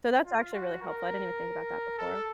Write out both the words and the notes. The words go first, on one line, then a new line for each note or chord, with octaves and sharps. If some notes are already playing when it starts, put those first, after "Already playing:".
So, that's actually really helpful, I didn't even think about that before.
F4
F#4
A#4
A4